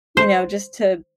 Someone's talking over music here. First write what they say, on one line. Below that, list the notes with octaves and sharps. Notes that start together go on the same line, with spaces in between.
You know, just to
C5